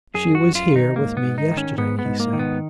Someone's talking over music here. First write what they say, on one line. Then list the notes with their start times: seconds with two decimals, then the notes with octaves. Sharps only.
'She was here with me yesterday,' he said.
0.14 F#2 G#4
0.35 F#4
0.43 F#2
0.55 F4
0.70 D#3
0.76 D#4
0.96 G#2 A#3
1.17 B3
1.24 G#2
1.38 D#4
1.51 D#3
1.58 C#4
1.78 G#2 B3
1.99 B3
2.05 G#2
2.20 A#3
2.33 D#3
2.39 B3